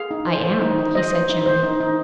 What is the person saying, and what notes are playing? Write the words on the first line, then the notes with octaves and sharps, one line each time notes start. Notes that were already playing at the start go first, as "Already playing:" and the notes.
'I am,' he said gently.
Already playing: G#4 F5
D#4
C5
C5
D#4
D#4
C5 D#5
C5
D#4
C5
D#4
D#4